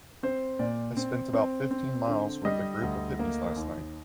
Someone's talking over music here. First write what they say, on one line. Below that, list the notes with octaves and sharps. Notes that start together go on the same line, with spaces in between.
I spent about fifteen miles with a group of hippies last night.
C4 C5
A#2 D5
C4
C4
C4
D3
G3 D#5
D2
A#3
D#2